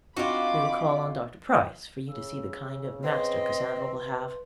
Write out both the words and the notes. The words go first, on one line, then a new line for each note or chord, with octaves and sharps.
We will call on Dr. Price, for you to see the kind of master Cassandra will have.
C4 D4 D#4 F4 F#4 B5 D6
C#3 E6
C4 B4 D#5 C6